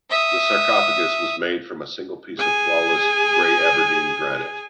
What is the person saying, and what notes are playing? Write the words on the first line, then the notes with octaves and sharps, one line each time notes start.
The sarcophagus was made from a single piece of flawless grey Aberdeen granite.
E5 D#6
G#4 G#5